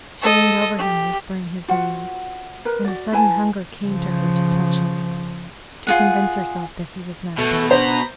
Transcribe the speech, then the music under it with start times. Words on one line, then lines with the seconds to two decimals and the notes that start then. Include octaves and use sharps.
She leaned over him whispering his name, and a sudden hunger came to her to touch him, to convince herself that he was not dead.
0.22 A4 D#5
0.78 G4
1.68 F4 F#4 C5 F#5
2.65 A#4 B4
2.85 F#4 D5
3.12 E4 B4 G#5 A5
3.83 C#3 F3
5.87 F4 G#4 F#5
7.38 B2 A3 A4
7.71 B3 D4 C5 A#5 B5